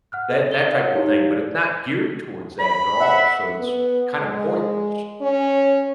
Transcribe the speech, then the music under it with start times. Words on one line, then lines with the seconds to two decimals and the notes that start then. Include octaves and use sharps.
that that type of thing, but it's not geared towards that at all, so it's kind of pointless.
0.12 F#5 F6 F#6
0.29 A4
0.51 G7
0.73 A#4 C#5 F5 F#5
0.95 D#4 E4 G4 C#5 F5
1.31 D5
2.60 B5
3.00 E5 F#5
3.59 B3
4.21 G#3
5.22 C#4